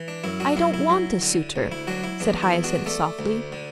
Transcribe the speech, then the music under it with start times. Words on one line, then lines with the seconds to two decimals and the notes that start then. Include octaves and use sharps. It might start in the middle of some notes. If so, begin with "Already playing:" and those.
"I don't want a suitor," said Hyacinth softly.
Already playing: E3
0.08 D4
0.24 F#2 E4
0.40 D4 F#4
0.57 F#3 E4
0.74 E4
0.89 F#3
1.22 D3
1.56 D2
1.72 E4
1.87 F#3 D4 F#4
2.04 E4
2.20 E2 D4
2.43 E4
2.53 E2
2.64 D4 F#4
2.86 A3 A4 D5
3.19 D2
3.52 D3